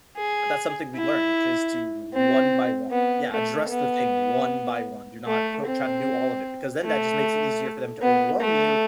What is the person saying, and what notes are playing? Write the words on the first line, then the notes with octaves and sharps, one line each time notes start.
That's something we learned is to one by one Yeah, address the thing one by one, do not coat try to do all of it because then that just makes it easier for them to overwhelm you
G#4
E4
C4
B3
A3
B3
A3
C4
A3
B3
A3